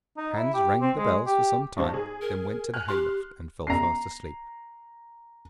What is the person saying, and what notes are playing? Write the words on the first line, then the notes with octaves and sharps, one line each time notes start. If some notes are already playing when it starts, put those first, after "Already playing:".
Hans rang the bells for some time, then went to the hay-loft, and fell fast asleep.
D#4
E4
G4
C4
G#3
G4
B1 G2 C5
G#4
A#4
G#5 F6 F#6
G4 C6
A#5 C7